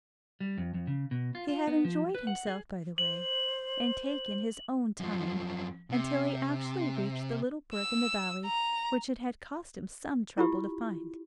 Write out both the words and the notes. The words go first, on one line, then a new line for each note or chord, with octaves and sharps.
He had enjoyed himself by the way, and taken his own time, until he actually reached the little brook in the valley which it had cost him some trouble to find.
G3
F2
F2
C#3
B2
F4
F4
B3
F3
B4
F#5
G#4
C5 F#7
F#2 F3
C3
E6
A#5
E4 F4 G4